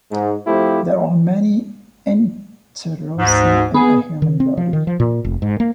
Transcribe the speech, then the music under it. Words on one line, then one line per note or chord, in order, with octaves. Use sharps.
There are many interossei in a human body.
G#2
F3 A3 C4 E4 G4
D2 G#2
B3 G#4
D#3
C4
F3
D#3
F3
A#2
F1
G#2
A#3